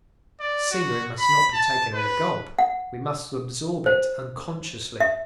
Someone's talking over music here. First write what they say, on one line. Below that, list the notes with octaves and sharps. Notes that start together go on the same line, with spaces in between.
Scenery must not be taken at a gulp; we must absorb it unconsciously.
D5
F#4
B5
A5
B4
F#5
C5
E5